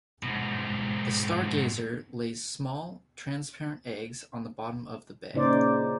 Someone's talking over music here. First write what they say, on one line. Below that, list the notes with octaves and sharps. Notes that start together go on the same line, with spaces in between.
The stargazer lays small, transparent eggs on the bottom of the bay.
G#2 B2
A#2 C#3 D#4 C5 D5